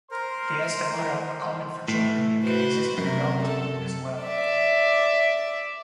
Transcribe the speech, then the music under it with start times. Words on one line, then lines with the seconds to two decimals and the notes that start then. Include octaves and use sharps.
Diastemata are common for children and can exist in adult teeth as well.
0.11 A#4 C5 C6
1.88 A2 E3 A3
2.43 F#4 B4 C5
2.98 F#2 C3 A#4
3.45 A4
4.24 D5 E5